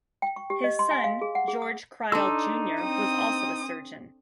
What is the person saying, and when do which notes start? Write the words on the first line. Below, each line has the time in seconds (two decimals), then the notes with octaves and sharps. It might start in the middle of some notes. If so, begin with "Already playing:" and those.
His son George Crile, Junior was also a surgeon.
0.22 G5
0.36 C#6
0.50 G4
0.64 D#5
0.79 C6
0.91 G#5
1.04 F5
1.21 G#4
1.35 F#5
1.48 G#4
1.62 D#6
2.12 D4 D#4 A4 C6 E6
2.83 C4 D#6